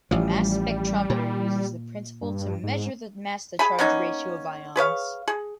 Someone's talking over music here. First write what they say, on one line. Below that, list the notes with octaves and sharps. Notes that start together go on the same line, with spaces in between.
The mass spectrometer uses this principle to measure the mass-to-charge ratio of ions.
A1 F3 G3
A#2
G2
G#2
G#4 G#5 B5
A#3 B3 C#4 D#4
G#4 B4 C#5 F5
G#4